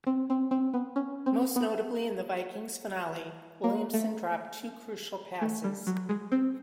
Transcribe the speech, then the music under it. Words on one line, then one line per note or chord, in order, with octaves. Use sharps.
Most notably in the Vikings' finale, Williamson dropped two crucial passes.
C4
C4
C4
B3
C#4
C4
B3
A#3
A3
A3
G3
F#3
G#3
C4